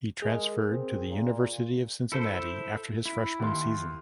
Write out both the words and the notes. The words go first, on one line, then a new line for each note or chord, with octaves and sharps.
He transferred to the University of Cincinnati after his freshman season.
G#3 G#4 A#4
C4
A#2
E4 A4 C5
E4
D#2 C6